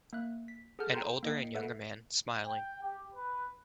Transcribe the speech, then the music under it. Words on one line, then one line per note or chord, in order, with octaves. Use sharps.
An older and younger man smiling.
A#3 E5 F#6
B6
G#4 A4 F#5 A5 F6 G6
G5 G#5 A#5 C6 G6
A#3 D#4 D#5 G5
A4 B4 E5 F#5
G5
G4
B4